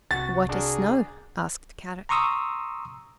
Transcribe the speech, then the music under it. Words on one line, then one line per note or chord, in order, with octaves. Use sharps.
"What is snow?" asked Kadok.
C2 F#4 A6
D4 F#4 G#4 A#4
A#5 C6 C#6 D#6 E6